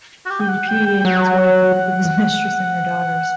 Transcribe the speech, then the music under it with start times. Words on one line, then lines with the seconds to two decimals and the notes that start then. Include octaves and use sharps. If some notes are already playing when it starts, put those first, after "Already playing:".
He repudiated his wife and lived with his mistress and their daughters.
0.26 F#4
0.30 G4
0.41 G5
0.49 F#5
0.68 G5
0.86 G5
1.00 G5
1.05 F#3 F#5